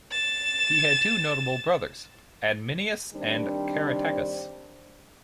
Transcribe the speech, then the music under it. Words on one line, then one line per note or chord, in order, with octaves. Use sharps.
He had two notable brothers, Adminius and Caratacus.
A6 E7
D#3 G3 C4 D4